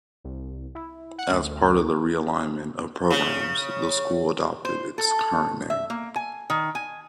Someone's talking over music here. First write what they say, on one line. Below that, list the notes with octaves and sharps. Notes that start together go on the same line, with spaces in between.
As part of the realignment of programs, the school adopted its current name.
C2
E4
F#5
D2
D2
C#3
C5
A4
E5
A#3
G#5
D#3
G#5